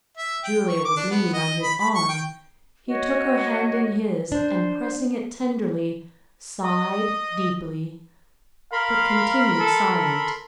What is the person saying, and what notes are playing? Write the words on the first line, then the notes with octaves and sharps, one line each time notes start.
Julia was leaning on his arm: he took her hand in his, and pressing it tenderly, sighed deeply, but continued silent.
E5
G5
C#6
D6
D4
B3
D#5
B5
B5
C#6
G5
F#4 C#5 D#5
D4 C5
D#5
A#4 F5 B5 C6
A4
A4